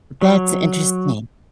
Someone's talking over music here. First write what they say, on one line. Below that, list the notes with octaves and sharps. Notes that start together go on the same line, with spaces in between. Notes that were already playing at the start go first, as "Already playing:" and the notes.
That's interesting,
F#3